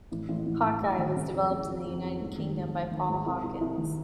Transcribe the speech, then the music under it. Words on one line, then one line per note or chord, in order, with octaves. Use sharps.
Hawk-Eye was developed in the United Kingdom by Paul Hawkins.
A1
A1
A1
A1
G2
D#3
C#3
F2
C#3
F2
F2
F2
G#2
D#3
G#2
G#2
D#3
G#2
C2
C2
C2
D#3